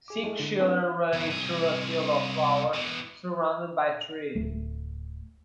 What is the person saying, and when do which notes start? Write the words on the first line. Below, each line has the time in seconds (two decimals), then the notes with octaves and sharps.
Six children running through a field of flowers surrounded by trees.
0.08 G#4 D6
0.24 G#3 A3 E4
0.40 D3
0.60 C4 D4 B4 F#5
1.13 E2 D3
1.30 C2 G#4
2.74 B2 E3
4.35 D1 A3